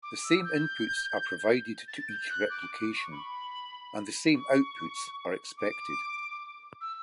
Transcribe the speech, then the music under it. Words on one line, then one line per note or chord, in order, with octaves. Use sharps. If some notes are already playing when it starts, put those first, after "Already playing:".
The same inputs are provided to each replication, and the same outputs are expected.
D6
E6
G6
A6
G6
F#6
D6
D6
D6
C#6
B5
C#6
D6
E6